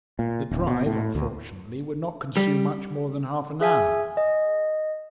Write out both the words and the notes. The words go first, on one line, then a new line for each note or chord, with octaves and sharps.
The drive, unfortunately, would not consume much more than half an hour.
A#2
D1
B2
A2
D2
G3
G#4 E5 G#5
D#5